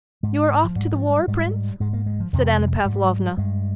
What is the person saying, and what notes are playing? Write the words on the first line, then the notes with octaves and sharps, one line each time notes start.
"You are off to the war, Prince?" said Anna Pavlovna.
G#2 G#3
F3
G#2 G3
F3
G3
G#2 G3
G#2 G#3
A#3
G#3
F3
F2 C3 D#3
G3
F3
G3
G#3
G#2 G3
G2 G#3